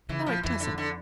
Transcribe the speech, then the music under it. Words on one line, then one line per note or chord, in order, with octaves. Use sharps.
'No, it doesn't.
C#3 E3
A#2 F3
F2 E3
D3
D3